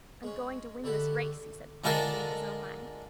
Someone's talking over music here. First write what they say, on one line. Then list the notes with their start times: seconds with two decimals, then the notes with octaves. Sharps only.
"I'm going to win this race!" he said quietly in his own mind.
0.23 G#3 C#4
0.84 D3 E4 F#4 G4 A4
1.84 D3 G#3 F4 A4 A#4